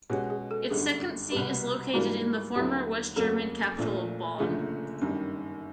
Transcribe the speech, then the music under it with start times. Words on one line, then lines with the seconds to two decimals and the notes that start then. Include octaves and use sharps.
Its second seat is located in the former West German capital of Bonn.
0.10 B2 G#3 C#4 F#4 G4
0.30 G#4
0.51 A4
0.70 G1 F#2 D3 G3 G#4
1.32 C2 B2 G3 B3 G4
1.94 G#2 E3 G3 A#3 D4 F#4
2.55 D#2 D3 F#3 B3 E4 G4
3.16 F2 C#3 F#3 A#3 A4
3.77 A#1 A#2 F3 A3
4.39 F#1 F#2 D3 F3 A3 G#4
5.01 G1 F#2 D#3 G3